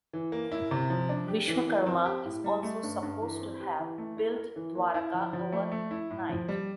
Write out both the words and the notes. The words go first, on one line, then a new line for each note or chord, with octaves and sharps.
Viswakarma is also supposed to have built Dwarka overnight.
E3
A#3
E4
C3
F3
D4
G4
E3
A#3
C4
G4
A2
G3
A3
G2
G2
E3
C4
G4
E3
A3
E4
A#4
E3
A#3
E4
F3
F3
A3
A3
E4
A2
F3
G3